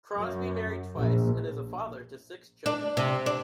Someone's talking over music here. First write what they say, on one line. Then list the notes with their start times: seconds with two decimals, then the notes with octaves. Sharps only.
Crosby married twice and is a father to six children.
0.16 F#2
0.94 A#1
2.66 D4
2.97 C3
3.26 D4